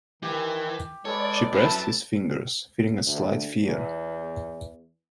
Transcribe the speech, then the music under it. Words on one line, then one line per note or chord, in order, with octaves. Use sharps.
She pressed his fingers, feeling a slight fear.
D#3 E3 G4
G#3 A4 B4 C#5 D5
F#2 E4 B4 A5
D2
E2